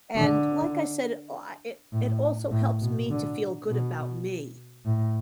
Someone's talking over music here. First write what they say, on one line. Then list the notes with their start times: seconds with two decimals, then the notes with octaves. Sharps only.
and like I said, I it it also helps me to feel good about me,
0.16 D3
1.92 A2
2.51 A2
2.81 B2
3.10 D3
3.68 B2
4.85 A2